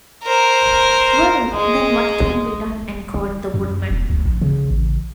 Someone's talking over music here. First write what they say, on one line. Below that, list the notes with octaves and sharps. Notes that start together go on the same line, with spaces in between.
Well, then, what can be done? enquired the Woodman.
A#4 C5
G#3
F#2
E1
D2
A#1
C#3
A1